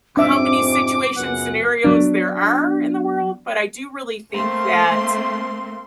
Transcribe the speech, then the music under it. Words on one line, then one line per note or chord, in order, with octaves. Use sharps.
how many situation, scenarios, there are in the world, but I do really think that,
F2 G#2 C3 D4 E5 D6 E6
C#2 F#2 B3 F#5
F#3 B3 D4
A3 A#3 C4 C6